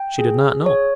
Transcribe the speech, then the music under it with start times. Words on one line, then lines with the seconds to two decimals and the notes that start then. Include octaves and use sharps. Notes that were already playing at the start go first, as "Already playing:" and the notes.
She did not know.
Already playing: G5
0.19 G#4
0.66 C#5